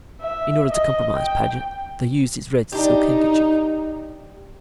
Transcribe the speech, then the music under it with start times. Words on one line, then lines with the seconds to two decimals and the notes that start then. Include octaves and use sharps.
In order to compromise Paget they used his red silk handkerchief.
0.21 E5
0.70 D#5
1.14 G5
2.72 D4 D#4 G4